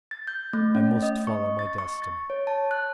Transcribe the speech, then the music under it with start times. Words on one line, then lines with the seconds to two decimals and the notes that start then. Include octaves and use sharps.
I must follow my destiny.
0.11 A6
0.27 G6
0.53 A3
0.75 C#4
1.03 D#5
1.27 C#6
1.59 A6
1.78 C#6
2.02 A6
2.30 C#5
2.47 A5
2.71 F#6